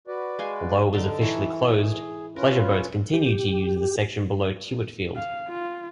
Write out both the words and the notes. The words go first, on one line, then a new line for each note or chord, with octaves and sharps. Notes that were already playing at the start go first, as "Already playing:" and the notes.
Although it was officially closed, pleasure boats continued to use the section below Tewitfield.
F#4 B4 D5
G#3 F5 G#5
D3 D#4 A4 A5 C6
E3 C#5
G#4
C#4 F4 A#4 B4
G4
F5
F4